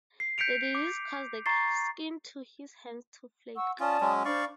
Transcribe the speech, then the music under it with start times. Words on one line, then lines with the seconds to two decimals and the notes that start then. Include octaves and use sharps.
The disease cause the skin of his hands to flake.
0.20 C7
0.38 G6 B6 C#7 D7 F7
0.75 D6
1.46 A#5 C#6 A6 C7
3.56 F#5 C#6 E6
3.80 C#4 F4 D5 A5 D#6
4.01 F#3 G#3 C#4
4.25 D4 C5 D5 F5 B5 C#6